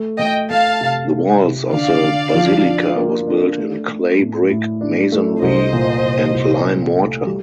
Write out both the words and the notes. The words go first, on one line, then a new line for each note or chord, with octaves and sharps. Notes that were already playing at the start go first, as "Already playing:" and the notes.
The walls of the basilica was built in clay brick masonry and lime mortar.
Already playing: A3
A3 D#5 G5
A3 F5 A5
C3
C3
C3
D3 D5 F5
D3
F3
D4
A#3
D4
A3
A3
A2
A2
D4
A3
C2 C5 D#5
A#2
C2
C2
D#4
A3
G3